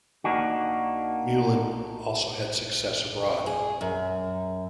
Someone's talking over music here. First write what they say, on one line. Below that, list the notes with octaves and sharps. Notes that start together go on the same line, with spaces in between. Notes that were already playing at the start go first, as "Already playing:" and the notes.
Meulen also had success abroad.
A#3 D4 D#4 F#4
G#4
F#2